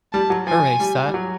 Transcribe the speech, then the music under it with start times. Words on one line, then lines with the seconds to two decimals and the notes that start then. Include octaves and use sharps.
Erase that.
0.13 G3 A5
0.30 F#3
0.47 F3 G#5
0.80 G3
1.08 G3
1.14 F#3